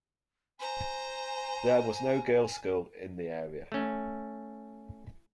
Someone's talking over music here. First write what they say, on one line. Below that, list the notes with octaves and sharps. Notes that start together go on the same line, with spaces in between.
There was no girls' school in the area.
C5 G#5 A#5
A3 C#4